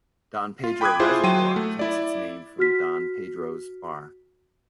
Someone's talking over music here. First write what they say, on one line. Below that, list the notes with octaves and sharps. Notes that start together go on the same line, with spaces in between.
Don Pedro Reservoir takes its name from Don Pedros Bar.
F4
G5 B5 D6 D#6 F#6 G#6
E4 F4 G#4 C5
F#3 G5 C6 D#7
A3
E4 D5
F#4 F6 B6